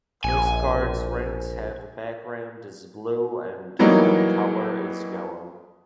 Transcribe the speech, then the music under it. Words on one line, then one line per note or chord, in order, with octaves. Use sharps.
Coast Guard's ranks have background is blue and hem colour is yellow.
A#1 G#5
E3 F#3 G3 A#3 D#4